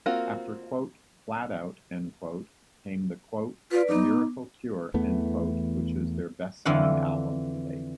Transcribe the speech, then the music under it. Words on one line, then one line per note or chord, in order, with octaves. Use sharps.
After "Flatout" came "The Miracle Cure", which is their best selling album to date.
A#3 C4 F4 F#4 A#4
F4 B4 D5
B3 D#4 D6
E2 E3 A3 B3
F2 D3 E3 F5 F#5